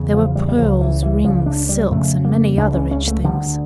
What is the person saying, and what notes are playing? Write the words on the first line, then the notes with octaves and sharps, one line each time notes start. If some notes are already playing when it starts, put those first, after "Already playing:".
There were pearls, rings, silks, and many other rich things.
Already playing: E2 C#3
F3
G3
G3
C#2 C#3 F3
E3
E3
C#2 C#3 F3
D4
G3
F2 C#3 A3
A#3
C#2 C#3 D4
C#4
C#4
A3
D2 D3 G3